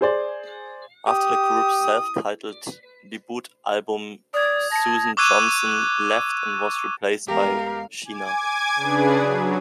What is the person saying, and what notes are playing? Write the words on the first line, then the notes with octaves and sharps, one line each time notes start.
After the group's self-titled debut album, Susan Johnson left and was replaced by Sheena.
G#4 C5 D5
G4 D#6
D5 D#6 G#6
A5 A#6 C#7
C#6 D6 E6 F#6 G#6 D#7
E2 G#3 G4 A#4 F5
G#5 D6 G#6
C#3 D4 G#4 B4
F#3